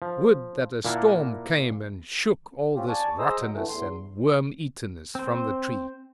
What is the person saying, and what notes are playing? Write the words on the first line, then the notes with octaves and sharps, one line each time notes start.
Would that a storm came and shook all this rottenness and worm-eatenness from the tree!
F3
A#2 A#3 E4 A#4 F#5 A5
C4 C#4 F4 G4
D5 G#5 A5 C#6
G#4 C5 D#5 A#5 D#6 E6
F#3
A2 D3 E3 A3
E2 C6
C4 C5